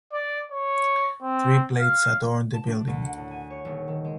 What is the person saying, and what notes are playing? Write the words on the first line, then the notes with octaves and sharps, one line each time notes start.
Three plates adorn the building.
D5
C#5
C4
F5
A5
D4
D2
F#5
A2
G#5
C#5
D#1
D#3
G#3